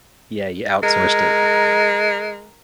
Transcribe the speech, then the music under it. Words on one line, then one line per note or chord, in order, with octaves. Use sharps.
Yeah, you outsourced it.
G#3 A#4